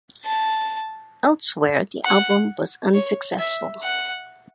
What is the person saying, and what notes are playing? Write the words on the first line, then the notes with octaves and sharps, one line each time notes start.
Elsewhere, the album was unsuccessful.
A5
F#5
C#5
E5
F#5